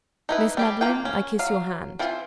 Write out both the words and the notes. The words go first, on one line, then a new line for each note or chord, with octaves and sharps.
Miss Madeline, I kiss your hand.'
D#4 E4 B4
G3 G4 G#4
A#3 F4 G5
C#4
F#3 F5
E3 C4 F4